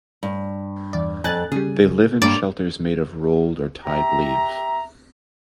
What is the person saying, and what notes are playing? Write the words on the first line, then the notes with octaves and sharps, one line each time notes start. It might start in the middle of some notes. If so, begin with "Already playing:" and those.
They live in shelters made of rolled or tied leaves.
G2
E2 D5
F2 G#5 F#6 A6
C#3 G3 G#4
G2 A#3 D4 D5
G4 E5 A#5